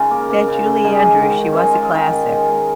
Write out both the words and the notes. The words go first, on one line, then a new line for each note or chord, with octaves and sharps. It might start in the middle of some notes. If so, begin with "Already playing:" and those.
That Julie Andrews, she was a classic.
Already playing: C#3 C#4 D#4 F4 A#4
A#3
A#3
C#3
C#3
G#3 D#4 G#4
G#3
D#3
D#3
C#4
G#3
D#4
G#3 F4
G#4
D#3 F4 A#4
D#3
G#3
G#3